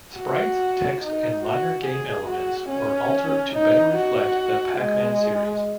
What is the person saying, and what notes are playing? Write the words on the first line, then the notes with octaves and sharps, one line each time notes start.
Sprites, text, and minor game elements were altered to better reflect the Pac-Man series.
F#4
D#4
F#4
G#4
F#4
C#4
D#4
F#4
G#3